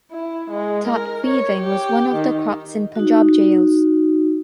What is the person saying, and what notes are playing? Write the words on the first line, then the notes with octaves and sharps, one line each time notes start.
Tat weaving was one of the crafts in Punjab jails.
E4
G#3
A#4
C#5
G4
D#3
D#4 F#4